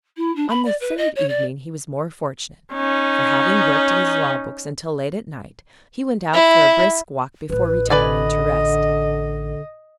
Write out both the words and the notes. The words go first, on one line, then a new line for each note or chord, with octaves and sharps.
On the third evening he was more fortunate, for having worked at his law books until late at night, he went out for a brisk walk before retiring to rest.
E4
D4
B5
D5
B4
D#5
C#5
D5
C#4 D#4
E4
A1 F4 B4
D3 B4 D5 D#5 G#5